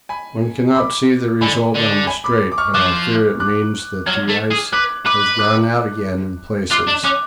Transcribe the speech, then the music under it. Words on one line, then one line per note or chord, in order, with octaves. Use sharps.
One cannot see the result on the Strait, but I fear it means that the ice has gone out again in places.
G#5 B5
B5 D6
D3 G#5 B5
D3
G#5 B5
B5 D6
D6
C#6 F6
F3 D6 F#6
D6 F#6
F#3 F6 G#6
A3
G#4
B4 D6 F#6
B4 D6 F#6
D6 F#6
F4 D6 F#6
D4
C#4 D6 F#6